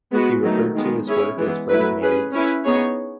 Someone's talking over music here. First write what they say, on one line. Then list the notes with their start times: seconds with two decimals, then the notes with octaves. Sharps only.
He referred to his work as "Readymades".
0.12 G#3 B3 F#4 B4
0.43 D#3 F#3 A3 D#4
0.75 D#3 G#3 B3
1.06 C#4 E4 G#4 C#5
1.38 E3 G#3 B3
1.70 F#3 A3 E4 B4
2.02 C#4 G#4 B4
2.33 C#4 E4 B4
2.65 B3 D#4 G#4 C#5